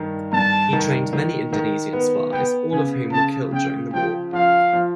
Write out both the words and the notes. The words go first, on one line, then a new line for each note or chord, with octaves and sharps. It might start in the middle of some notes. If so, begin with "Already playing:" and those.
He trained many Indonesian spies, all of whom were killed during the war.
Already playing: G2 D#3
G2 A5
D#3
D#3
D#3
B3
B3 G5
C#3 G#5
C#3 A5
C#3 G5
F3 G5
F3 F5
F3